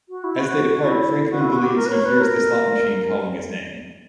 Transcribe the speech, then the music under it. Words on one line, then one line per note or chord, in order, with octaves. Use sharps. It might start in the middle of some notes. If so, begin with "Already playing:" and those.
As they depart, Franklin believes he hears the slot machine calling his name.
F#4
E4
F#4
F#4
E4
F#4
E4
F#4
G4
A#4
B4
C#5
B4
A#4